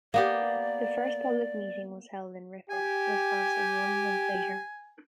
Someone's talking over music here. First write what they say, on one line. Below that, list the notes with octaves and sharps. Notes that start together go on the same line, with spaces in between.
The first public meeting was held in Ripon, Wisconsin one month later.
A#3 B3 G4 D5
G4 G#5